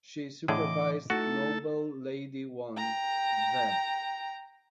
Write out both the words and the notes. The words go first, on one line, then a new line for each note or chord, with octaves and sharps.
She supervised Noble Lady Wan there.
A2 D3 E3 G#4 D#5 D6
A3 D#4 E4 F#4 A4
G5 A#5